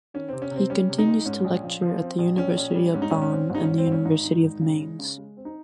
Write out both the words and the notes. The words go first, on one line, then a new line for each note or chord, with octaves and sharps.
He continues to lecture at the University of Bonn and the University of Mainz.
D#3 C#4
C3 C4
C#4
C3
C4
G3 C#4
C3
D#4
C#2
G#2 C#4
A#1
F3
F3
C4
A#1
A#1 C#4
A#1
G3
G#2 C#4
D#4
A#1 C#4
C#4
C4
G#1 D#4
G#1 C#4
C4
G#1 C#4
G#1 D#4
D#3
G#1
C#3
G#3
C#3
G#3
C4
D#4